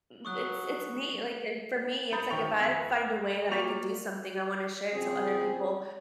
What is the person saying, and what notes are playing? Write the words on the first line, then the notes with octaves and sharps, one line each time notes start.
mm, it's it's neat, like, and, for me, it's like if I find a way that I could do something, I wanna share it so other people
F#3 C#6 D#6 F#6
A#5 B5 D#6 G6 A6
F#2 D#3 C5 G5 C#6 F7
F2 E6 G#6
F#3 A#3 F4 D5 C#6 F7
C#3 F3 C4 G#4